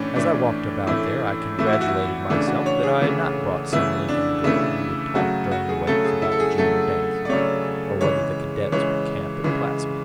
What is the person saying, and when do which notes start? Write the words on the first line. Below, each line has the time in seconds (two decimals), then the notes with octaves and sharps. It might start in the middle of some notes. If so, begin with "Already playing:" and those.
As I walked about there I congratulated myself that I had not brought some Lincoln girl who would talk during the waits about the Junior dances, or whether the cadets would camp at Plattsmouth.
Already playing: A2 E3 A3 C#4 D4
0.16 A2 E3 A3 D4
0.87 A2 E3 A3 E4
1.58 A2 E3 A3 E4
1.66 F#4
1.73 E4
1.81 F#4
1.88 E4
2.30 C#3 E3 A3 D4
2.48 F#4
2.66 C#5
2.83 G#4
3.01 C#3 E3 A3
3.72 C#3 E3 A3 E4
4.09 D4
4.44 C#3 E3 A3 E4
5.15 C#3 F#3 A3 F#4
5.51 F#4
5.69 G#4
5.87 C#3 F#3 A3 A4
6.04 G#4
6.22 E4
6.32 A4
6.40 G#4
6.58 C#3 F#3 A3 A4
7.25 D5
7.29 C#3 F#3 A3 C#5
8.01 C#3 E3 G#3 C#5
8.72 C#3 E3 G#3 C#5
9.44 C#3 E3 G#3